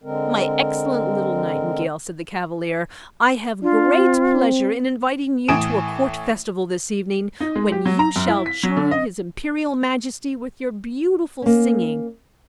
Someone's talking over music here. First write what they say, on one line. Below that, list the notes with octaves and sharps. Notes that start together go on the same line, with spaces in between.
"My excellent little Nightingale," said the Cavalier, "I have great pleasure in inviting you to a court festival this evening, when you shall charm his Imperial Majesty with your beautiful singing."
D3 G#3 C4 A#4
D4 F4
C4
A2 E3 G#5 D#6 D7 E7
D#4
G#3
G4
F#3
A#5
F#2
E4
B6
F#3
D3
D#5
A#3 C#4